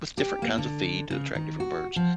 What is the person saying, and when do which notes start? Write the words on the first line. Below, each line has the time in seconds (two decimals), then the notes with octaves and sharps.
With different kinds of feed to attract different birds
0.18 G4
0.42 A#3
0.58 D3
1.10 C#3
1.35 D#3
1.60 F#4
1.96 F3